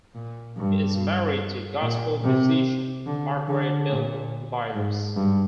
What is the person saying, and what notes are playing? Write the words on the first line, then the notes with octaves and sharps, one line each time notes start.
He is married to gospel musician, Margaret Bell-Byars.
A#2
G2
A#2
C3
D3
D3
A#2
G#2
G2